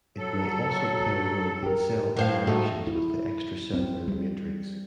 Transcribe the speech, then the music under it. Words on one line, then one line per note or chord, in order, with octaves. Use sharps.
It may also play a role in cell interactions with the extracellular matrix.
F#3 A4
G4 A#4
A2 C5 F5
G#2 A3 D#4 F#4 A4 E5
E4
C4
G3